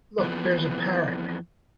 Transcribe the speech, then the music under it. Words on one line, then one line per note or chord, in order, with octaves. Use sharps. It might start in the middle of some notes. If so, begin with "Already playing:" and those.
Look there's a parrot.
F2 E3 F3 B3